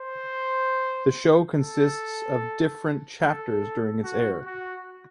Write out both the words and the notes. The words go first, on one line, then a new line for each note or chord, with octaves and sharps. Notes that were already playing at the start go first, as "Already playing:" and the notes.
The show consists of different chapters during its air.
Already playing: C5
A4
A4
F#4
F#4